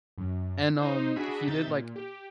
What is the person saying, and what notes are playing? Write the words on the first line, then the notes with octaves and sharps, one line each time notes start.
And, um, he did like
F#2
D#4 C5
D4 F#4 G#4 E5 B5
C3 D#4 E5 G6 A6
A#2
G4